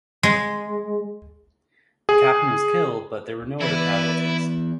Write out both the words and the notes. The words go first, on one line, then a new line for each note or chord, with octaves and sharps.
The captain was killed but there were no other casualties.
G#3
G#4
E2 E4 B4 D5